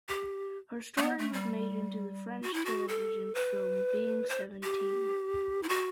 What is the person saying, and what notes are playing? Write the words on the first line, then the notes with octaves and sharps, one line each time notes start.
Her story was made into the French television film "Being Seventeen".
G4
A3
B3
A3
G3
F#4
E4
F#4
A4
B4
C5
G4
E4
F#4